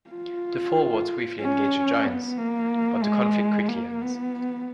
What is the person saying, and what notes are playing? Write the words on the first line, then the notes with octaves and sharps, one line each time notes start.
The Forwards briefly engage the Giants, but the conflict quickly ends.
F4
C#4
B3
A#3
G#3
A#3
B3